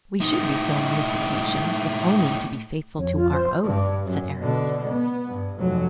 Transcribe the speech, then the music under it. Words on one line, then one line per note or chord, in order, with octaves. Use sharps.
"We should be so on this occasion, if only to be faithful to our oath," said Aramis.
A2 D#4
F2 C#5
F4
C5
G2
F#2
B2 D3
B3
G2
F1 F#3